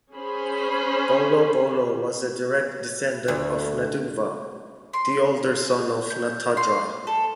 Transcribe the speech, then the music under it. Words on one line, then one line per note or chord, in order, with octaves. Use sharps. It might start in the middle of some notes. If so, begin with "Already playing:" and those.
Bolobolo was a direct descendant of Naduva, the older son of Natadra.
C#4 G#4 C5 B5
D2
C6
G6
C6
A4